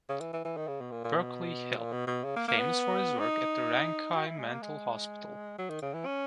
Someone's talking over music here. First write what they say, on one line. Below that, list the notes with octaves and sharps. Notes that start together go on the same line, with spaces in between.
Berkeley Hill, famous for his work at the Ranchi Mental Hospital.
C#3
E3
E3
E3
D#3
C#3
B2
A#2
A#2
B2
A#2
B2
B2
C#3
A#3
A#3
B3
D#4
F#4
E4
G#3
A#3
G#3
F#3
D#3
C#3
E3
C#4